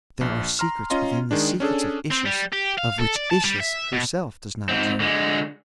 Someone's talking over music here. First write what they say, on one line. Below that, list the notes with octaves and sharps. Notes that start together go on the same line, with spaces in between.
"There are secrets within the secrets of Issus of which Issus herself does not dream."
A#1
A#5 C6 F6
C#4 F4 D#5 A#5 C6
D#3 G#3 D4
C#4 D4 G#4 A4
C4
G3
G4
F5
A4
D5
A5
G3
E5
B2
G#2 C4
D3 G#3